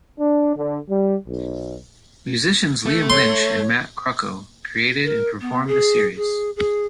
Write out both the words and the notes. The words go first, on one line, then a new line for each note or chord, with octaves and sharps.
Musicians Liam Lynch and Matt Crocco created and performed the series.
D4
D3
G3
B1
A3
C#5 C6
A#4
B3
G#4
G#4
G#4